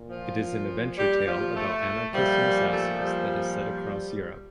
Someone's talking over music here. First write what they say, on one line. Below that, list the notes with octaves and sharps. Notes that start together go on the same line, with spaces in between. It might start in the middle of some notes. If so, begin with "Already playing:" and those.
It is an adventure tale about anarchists and assassins that is set across Europe.
Already playing: A#2
F3 F4
G3 G4
F3 F4
A3
A#2 F3 G3
A3
G3